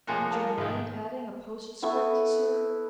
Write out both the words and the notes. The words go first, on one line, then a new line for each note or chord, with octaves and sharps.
"Would you mind adding a postscript, sir?"
F2 A2 A#3 F4 G#4 F#5
A#4 F5 A5
A#1 G#2 D#3
B3 E4 A4 C#6